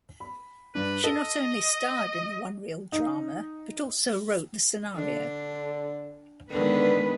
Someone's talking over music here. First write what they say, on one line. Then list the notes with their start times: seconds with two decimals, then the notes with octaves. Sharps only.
She not only starred in the one-reel drama but also wrote the scenario.
0.20 B5
0.75 G2 D4 B4
1.04 A4 D#5
2.92 D#4
4.96 D3 D4
6.50 D3 D#3 G#3 B3 D4 B4